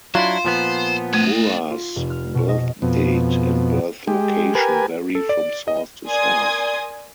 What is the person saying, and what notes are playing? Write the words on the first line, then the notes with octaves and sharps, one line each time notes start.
Murrah's birth date and birth location vary from source to source.
F#3 D4 E4 F4 C5
A#2 F3 B3
A3 D4 D#5
F4
F1
F6
B2
D#5
F2 B2
G#3 G4
G4 A#4 B4 G#5
A4
D5
D#5
A#4 D5 G#5 C6 D#6 G#6